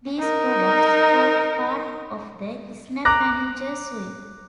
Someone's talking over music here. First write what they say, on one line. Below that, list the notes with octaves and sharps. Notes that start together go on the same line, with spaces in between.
These products form part of the SnapManager suite.
D#4 A#4
A#5 D6 F#6 A#6